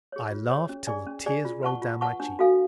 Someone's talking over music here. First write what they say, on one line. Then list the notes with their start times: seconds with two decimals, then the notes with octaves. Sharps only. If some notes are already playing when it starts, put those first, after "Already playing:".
I laughed till the tears rolled down my cheeks.
0.12 G#4 C#5
0.31 F4
0.50 G#4 C#5
0.69 C#4
0.87 G#4 D5 G#5
1.06 C#4
1.26 G#4 D5 G#5
1.45 F4
1.63 B4 F#5 A5 C#6
1.82 F4
2.01 B4 F#5 A5 C#6
2.20 D4
2.39 F#4 A4 F5 G#5